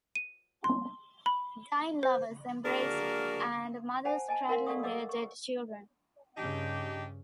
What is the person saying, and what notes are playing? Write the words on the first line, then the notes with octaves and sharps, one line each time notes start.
Dying lovers embrace and mothers cradling their dead children.
D#7
C6
B5
C5
A#3 D4 F#4 G#4 A#4
C5 F#5 G#5 A5
D#5 G#5 A5
A#4 F5 F#5 C6
A4 D5 F5 F#5 C#6 D#6
A4 D#5 F5 F#5 D6 E6
C#6
G2 C#3 D4 D#4 G4